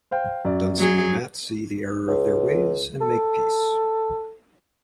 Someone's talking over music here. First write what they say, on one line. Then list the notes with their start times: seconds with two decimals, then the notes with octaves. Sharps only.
Dunson and Matt see the error of their ways and make peace.
0.11 C5 F5 G5
0.45 F#2 D5
0.78 F#3 G#4
2.07 C#2
3.01 A4